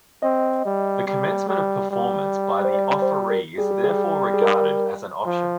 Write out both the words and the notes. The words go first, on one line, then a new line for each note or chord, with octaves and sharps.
The commencement of performance by the offeree is therefore regarded as an option.
C4 D#5
G3
G3
G3
G3
C5
D5
C5
A#4
G3 G#4
G4
G#4
G#4
A#4
F3